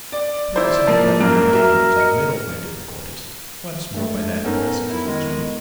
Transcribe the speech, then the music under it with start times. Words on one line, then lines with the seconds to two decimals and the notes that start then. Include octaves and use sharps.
But I was helped out of the beginning into the middle of my difficulties, once more by that blessed little Judy.
0.12 D5
0.56 E4 C5 D5
0.87 F3 A#3
1.21 F#2 A#3
1.53 F#4 A#4 E5
1.96 D#5 C#7
3.94 G2 G#3 A3
4.45 B3 C#4 D#4 A4 A#4
4.90 E4
5.06 D#3 G#3